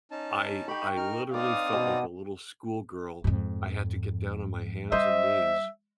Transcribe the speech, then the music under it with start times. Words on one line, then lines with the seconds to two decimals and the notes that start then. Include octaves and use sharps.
I I literally felt like a little schoolgirl, I had to get down on my hands and knees
0.11 C#4 D#4 A5
0.68 D#4 G4 G5 B5 C#6
0.96 D#4 A#4 F6
1.34 C4 D#4 D5 F5 D6 D#6
1.73 B2
3.24 F2 G#2
4.92 G3 C5 D#5 E5